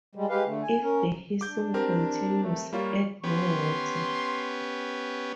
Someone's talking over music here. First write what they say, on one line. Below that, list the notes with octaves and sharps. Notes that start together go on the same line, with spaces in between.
If the hissing continues, add more water.
G3 G#3
G#3 G4 B4 F5
D3 A3
G#5
C#4 A#4
D4 D6 G6
C4 G4 A#4
A3
G3 A#3 F4 C#5
B3 C#4 G4 C6